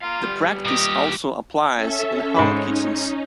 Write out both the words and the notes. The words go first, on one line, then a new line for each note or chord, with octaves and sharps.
The practice also applies in home kitchens.
F4 F5 A#5
G3 B3
A#2 G4 D#5
C#4 A4 E5
G#2 C#4 D#4 G#4 B5